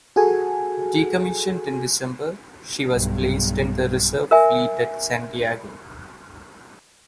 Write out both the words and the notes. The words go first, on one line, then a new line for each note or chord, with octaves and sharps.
Decommissioned in December, she was placed in the Reserve Fleet at San Diego.
F#4 G#4 A4 G#5
B1 G2
A#4 E5 G#5